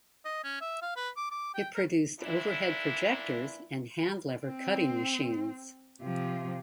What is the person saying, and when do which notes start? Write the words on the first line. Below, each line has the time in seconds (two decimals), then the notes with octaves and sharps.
It produced overhead projectors and hand lever cutting machines.
0.25 D#5
0.44 C#4
0.61 E5
0.82 F5
0.96 B4
1.17 D6
1.31 D6
1.54 G5
1.75 A#4
2.20 A#2 E3 D4 E4
4.45 C4
6.02 C3 F3